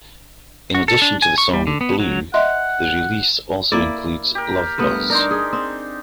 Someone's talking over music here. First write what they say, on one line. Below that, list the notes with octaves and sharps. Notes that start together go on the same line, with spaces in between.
In addition to the song "Blew", the release also includes "Love Buzz".
F#4
A4
D4
G#5
C#6
G3
D3
B3
F#3
D#5 E5 F#5 C6
A#3 E4 D5
G4 A#4
G2 A3 B3
D4 D#4 A#4 C6
G#4
C4